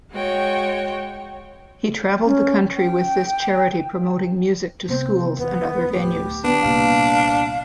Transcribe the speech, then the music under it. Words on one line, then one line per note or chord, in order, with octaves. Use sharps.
He travelled the country with this charity promoting music to schools and other venues.
G#3 F#4 C#5 G5
C#4
G5
C3 B3 C4
E2 B3
D1 D#3 G4
D3 B3 D4
C2 A#2 F5